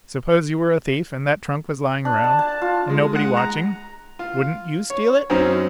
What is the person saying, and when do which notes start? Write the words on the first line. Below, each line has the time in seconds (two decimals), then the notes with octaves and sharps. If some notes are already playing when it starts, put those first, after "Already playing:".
Suppose you were a thief, and that trunk was lying around and nobody watching--wouldn't you steal it?
2.05 D4
2.24 A5
2.39 A5
2.61 F4
2.90 G#3
3.13 G#3 F#5
3.37 A#5
4.19 F4
4.90 C#5
5.30 F#2 C4 C#4 D#4 C5 A#5